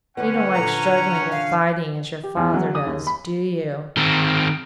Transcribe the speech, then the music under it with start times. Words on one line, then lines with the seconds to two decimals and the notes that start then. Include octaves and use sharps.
You don't like struggling and fighting as your father does, do you?'
0.17 D3 G3 B3 C#4 F#5
0.54 A#2 D3 A#5
1.31 F5
2.23 G4
2.37 E2
2.54 F#3
2.75 D#6
2.87 D#2
3.07 B5
3.97 D#3 C4